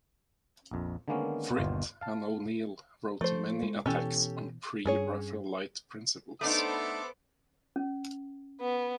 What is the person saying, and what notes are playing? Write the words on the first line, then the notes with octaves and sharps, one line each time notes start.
Frith and O'Neil wrote many attacks on Pre-Raphaelite principles.
A#1 F2
D3 D#3 G#3 A#3 B3 C#4
G1 D#2 B2 F4
F5 A5
F3 A3 C5
G#3
B2 E3 C#4 G4 A4
G2 C#4 G#4 C#5
A3 B3 D4 D#4 A4 C5 E5 D6
C#4
B3